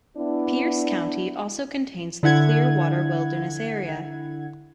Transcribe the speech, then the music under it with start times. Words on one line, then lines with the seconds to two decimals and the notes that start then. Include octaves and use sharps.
Pierce County also contains the Clearwater Wilderness area.
0.17 B3 D4 E4
2.23 D3 E4 F#5 G#6